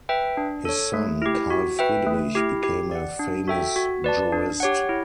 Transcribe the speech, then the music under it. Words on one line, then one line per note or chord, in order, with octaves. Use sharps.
His son, Karl Friedrich, became a famous jurist.
B4 E5 G5
D4
A4 C#5
A3
E4 G4
F#4
B4 E5 G5
A3
E4 G4
G4
D5 F#5
D4
F#4 A4 E5 G5
F#4
B4 D5 A5
D4
G4 C#5 F#5
E4